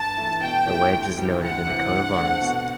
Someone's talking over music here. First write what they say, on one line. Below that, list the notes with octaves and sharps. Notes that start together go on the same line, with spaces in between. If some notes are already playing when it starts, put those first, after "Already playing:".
The wedge is noted in the coat of arms.
Already playing: G2 A5
E3 A3 E4
B2 G5
A3 E4 G4
D2
C3 E3 G3
D2 F#5
C3 E3
D3
A3 C4
B2